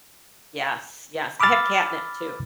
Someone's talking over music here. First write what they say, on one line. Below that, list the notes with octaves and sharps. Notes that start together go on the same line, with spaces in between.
Yes, yes. I have catnip too,
B5 D6 E6 F6 A6